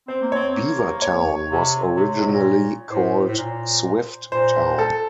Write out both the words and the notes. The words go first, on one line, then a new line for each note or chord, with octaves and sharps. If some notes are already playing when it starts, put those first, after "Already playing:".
Beavertown was originally called Swifttown.
C4 C5
A#3
C4 C#5
A#3
C#5
C3
C3
C3
C3
A2
A#2
A2 C5
A2
A#2
A#2 C5
A4